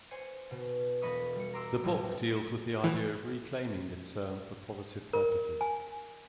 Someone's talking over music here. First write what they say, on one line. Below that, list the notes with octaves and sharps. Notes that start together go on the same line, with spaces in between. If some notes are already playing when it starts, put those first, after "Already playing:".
The book deals with the idea of reclaiming this term for positive purposes.
C5 C#5 G#5
B2
E1 B3 D#5 B5 C#6 D#6
G3 C#7
A#5 C6 D6 E6
B1 A2 F#3 G3 B3
E3
A#4
G#5